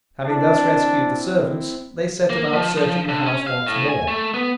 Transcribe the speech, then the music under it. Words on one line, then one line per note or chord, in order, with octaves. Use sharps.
Having thus rescued the servants, they set about searching the house once more.
C4 D4 E4
A#3
F3
F3
D3
C#4
F5
A2
G#5
A3
B3